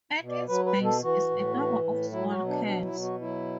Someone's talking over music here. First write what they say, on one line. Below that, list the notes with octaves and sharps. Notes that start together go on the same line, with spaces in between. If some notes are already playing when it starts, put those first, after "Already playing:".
At its base is a number of small caves.
B2
D5
F#3 B4
B4
B2
A4
E3 F#4
A2
E3
A2
F#3 E4
F#4
B2
D4
F#3 D4
E4
B2
F#4
F#3 E4